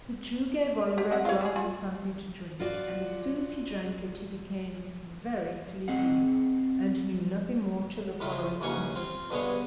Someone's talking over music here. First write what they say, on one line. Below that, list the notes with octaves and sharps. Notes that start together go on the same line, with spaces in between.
The Jew gave Oliver a glass of something to drink, and as soon as he drank it he became very sleepy and knew nothing more till the following morning.
G4
C4 E5 F#5
F4 C#5
G3 G#4
F4 G#5
F4 F#4 D5
C4 G#4 D#5 F#5
A2 C#3 G#3 F4
A1 D#2 C#3 C#4 F#5 G#5
C4 F4
G2 D3 G#3 B3 G#4 C#5